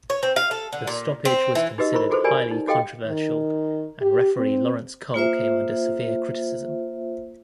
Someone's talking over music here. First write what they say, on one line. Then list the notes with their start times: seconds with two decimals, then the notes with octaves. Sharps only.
The stoppage was considered highly controversial and referee Laurence Cole came under severe criticism.
0.10 C#5
0.23 C4
0.36 F5
0.51 A4
0.73 D3
0.87 A#2
1.25 C4
1.55 E3
1.78 D#4 F#4 G4 B4 D#5 E6
1.94 E4 A#4 C5 B5 C#6
2.10 F4 F#4 G#4 A4 B4 C5
2.24 F#4 G4 A#4 D5 G#5 B5
2.51 D#4
2.67 F#4 G4 A4 D#5 F5 G5
3.07 D#3
4.02 G4
4.37 C4
5.14 A#3 F4 C5 E5